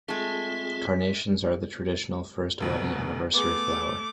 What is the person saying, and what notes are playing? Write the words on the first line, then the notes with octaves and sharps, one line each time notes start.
Carnations are the traditional first wedding anniversary flower.
G#3 A3 C4 F4 G#4 B6
F1 D2 B2
A3 B3 G#4 D6